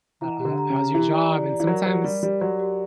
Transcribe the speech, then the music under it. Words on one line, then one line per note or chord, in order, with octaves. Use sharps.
uh, "How's your job?" and sometimes,
E3 A#5
G4
D3
A#5
C#3
A#5
E3 G4
D5
D5
D5
E3
F#3 A#4
F#3 G4
G3 D5
G3 D5
F#3 G4
G4